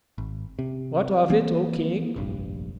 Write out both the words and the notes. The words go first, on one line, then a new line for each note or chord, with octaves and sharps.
"What of it, O King?"
G#1
C3
E3 A#3 C4
F1 A#1 G2